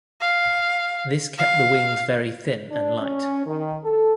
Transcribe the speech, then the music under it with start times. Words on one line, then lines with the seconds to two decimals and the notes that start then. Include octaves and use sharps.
This kept the wings very thin and light.
0.21 F5
1.39 F5
2.70 D4
3.00 C#4
3.46 D#3
3.83 A4